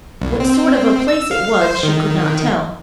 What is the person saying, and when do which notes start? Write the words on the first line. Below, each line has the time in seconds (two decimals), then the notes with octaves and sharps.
What sort of a place it was she could not tell.
0.21 C2
0.40 C4
1.08 E6
1.31 F5
1.61 C5
1.83 D#3